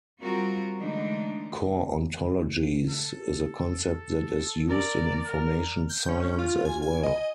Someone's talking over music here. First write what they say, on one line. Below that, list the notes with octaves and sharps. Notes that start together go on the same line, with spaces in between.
Core ontologies is a concept that is used in information science as well.
G3 C4 F4 F#4 A#4
D3 E3 G#3 A3 D4 D#4
A4
A#4 D5
A#4 F6
G6
C#4
F4
G#5
G#5
D#5